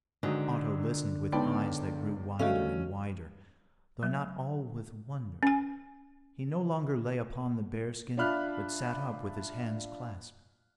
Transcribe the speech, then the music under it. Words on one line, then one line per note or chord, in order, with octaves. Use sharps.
Otto listened with eyes that grew wider and wider, though not all with wonder; he no longer lay upon the bear skin, but sat up with his hands clasped.
G#2 D3 D#3 F#3
C#2 B3 D#4 B4 D5 G5 A5 C6
D3 G3 A3 C#4 F#4 D#5 F5
F#3
C#4 G#5
D4 F4 E5 B5 F6 F#6